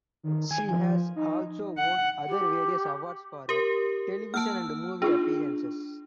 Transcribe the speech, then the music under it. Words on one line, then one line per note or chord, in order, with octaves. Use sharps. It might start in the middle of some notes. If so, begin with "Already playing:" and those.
She has also won other various awards for her television and movie appearances.
D#3
G#5
F3
D#4
F#5
G4
G4 A#4
A#3 A5 E6 F6
D4 D#4 F4 G#4